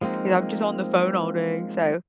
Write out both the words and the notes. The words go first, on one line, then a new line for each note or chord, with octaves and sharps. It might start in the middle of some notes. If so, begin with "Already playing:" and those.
goes, "I'm just on the phone all day." So
F3 G#3 A#3 C4 D#4